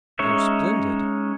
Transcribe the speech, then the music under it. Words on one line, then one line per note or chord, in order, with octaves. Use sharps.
They are splendid.
G#3 C#4 D#4 C#5 E5